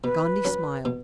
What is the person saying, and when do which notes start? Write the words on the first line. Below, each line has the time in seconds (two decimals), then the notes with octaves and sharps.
Gondy smiled.
0.04 B2 B4
0.45 F#3 C#4
0.85 B2